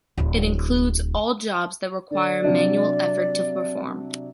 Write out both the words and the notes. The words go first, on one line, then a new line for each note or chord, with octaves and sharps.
It includes all jobs that require manual effort to perform.
D1 E4
D3 D5
C3 F#3 D4